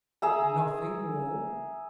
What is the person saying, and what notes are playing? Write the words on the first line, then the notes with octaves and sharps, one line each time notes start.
"Nothing more?"
G#4 E5 A#5